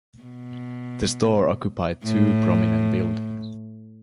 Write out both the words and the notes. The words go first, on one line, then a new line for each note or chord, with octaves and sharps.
The store occupied two prominent buildings.
B2
A2